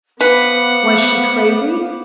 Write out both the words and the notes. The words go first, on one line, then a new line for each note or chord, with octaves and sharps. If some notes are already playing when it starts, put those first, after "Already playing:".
Was she crazy?
B3 B4 C5 F5 F#5 D6